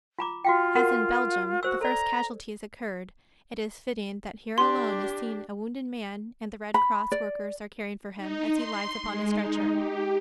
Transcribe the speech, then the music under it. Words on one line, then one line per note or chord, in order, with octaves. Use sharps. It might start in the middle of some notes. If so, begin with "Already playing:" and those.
As in Belgium the first casualties occurred it is fitting that here alone is seen a wounded man and the Red Cross workers are caring for him as he lies upon a stretcher.
F4 A#5 D6
F4 F#4 F5 G5
F#4 A#4 F#5
F#4 C5 E6
A4 D5 A#5
D4 G4 C6
B5
D5
D#4
C6
G#3
D#4
G4